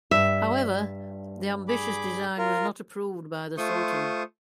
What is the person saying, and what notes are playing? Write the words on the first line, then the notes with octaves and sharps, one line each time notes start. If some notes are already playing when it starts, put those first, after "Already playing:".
However, the ambitious design was not approved by the Sultan.
G2 G3 E5
G#4 B5 D6
F4 A#4
A3 F4 C5 C#6 D#6